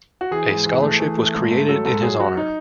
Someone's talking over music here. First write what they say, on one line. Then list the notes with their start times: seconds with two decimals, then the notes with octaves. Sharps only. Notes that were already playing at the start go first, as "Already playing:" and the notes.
A scholarship was created in his honor.
0.21 F#4
0.31 E3 G#4
0.48 G#2
0.66 E3
0.82 A3
1.00 E3
1.17 A3
1.34 G#2
1.51 A3
1.68 F#3 A4
1.85 G#2 A4
2.02 F#3 G#4
2.20 F#3 F#4
2.37 D#4